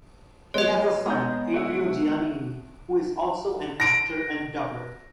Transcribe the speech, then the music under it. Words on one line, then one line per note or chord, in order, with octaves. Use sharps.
He has a son, Adriano Giannini, who is also an actor and dubber.
G#3 B3 C#5 D#5 C6
G#3 B3 A#5 G6
E4 F#4
A#6 D7